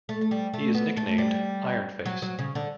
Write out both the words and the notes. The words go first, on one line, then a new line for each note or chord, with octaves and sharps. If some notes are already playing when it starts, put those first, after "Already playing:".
He is nicknamed "Iron Face".
A3
A3
G3
A3
B3
A3
G3
F#3
F#3
C#3
D3